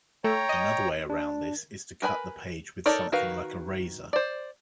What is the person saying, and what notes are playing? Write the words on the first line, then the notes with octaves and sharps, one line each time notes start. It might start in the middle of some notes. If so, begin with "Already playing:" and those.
Another way around this is to cut the page with something like a razor.
A3 C#5 G5 A#5
D#5
D4
A#4 B4 G#5 B5
D#4 A4 A#4 C#5 D5
D#3 F#4 A#4 B4 F5
C5 D5